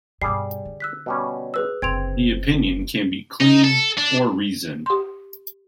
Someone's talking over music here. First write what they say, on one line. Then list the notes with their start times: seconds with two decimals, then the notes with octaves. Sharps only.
The opinion can be "clean" or "reasoned".
0.22 G2 B2 G3 G#4 D5 C7
0.65 D3
0.80 E6 F#6 B6
1.06 B2 G3 C#4
1.54 G#4 B4 E6
1.82 F#1 D3 C4 G#6 D7 F7
3.41 D#4
3.64 A4
3.98 D4
4.86 G4 C6